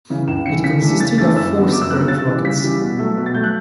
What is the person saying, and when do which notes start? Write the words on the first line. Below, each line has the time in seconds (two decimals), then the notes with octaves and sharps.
It consisted of four separate rockets.
0.10 C#3 E3
0.28 C#2 E7
0.46 C#3 E3 C#7
0.64 C#3 B6
0.82 E3 A3 D4
1.00 C#3 A6
1.18 E3 A3 D4 A6
1.36 F#2 E6
1.54 D3 F#3 B3
1.72 F#2 D6
1.82 E6
1.90 D3 F#3 B3 F#6
2.08 C#3 A6
2.27 E3 G3
2.44 C#3 B6
2.63 E3 G3
2.81 B2
2.99 F#3 A3
3.17 B2
3.26 A6
3.34 F#3 A3 G6
3.44 F#6